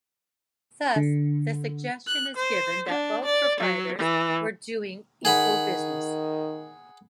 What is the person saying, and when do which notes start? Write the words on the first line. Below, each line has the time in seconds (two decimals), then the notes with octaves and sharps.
Thus, the suggestion is given that both proprietors were doing equal business.
0.96 D3
2.07 F#6
2.37 C5
2.89 D4
3.24 D5
3.60 F#3
3.98 E3
5.25 D#3 G#4 F#5 B5